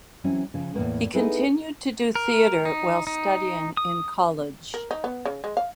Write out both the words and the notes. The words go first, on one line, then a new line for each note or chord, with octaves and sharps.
He continued to do theatre while studying in college.
E3 F#3 C4 C#4 E4
C#3 F3
E2 A2 A#3 B3
B3 D#4 E4 G#4 A4 B4
A#4
D#4
D#4
D#6
A#4
D#4
B3
C#3
G#3
F5